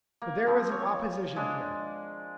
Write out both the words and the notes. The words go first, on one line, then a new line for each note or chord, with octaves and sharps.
But there was an opposition here.
A#3
F3 C4
C#5
G#3 D4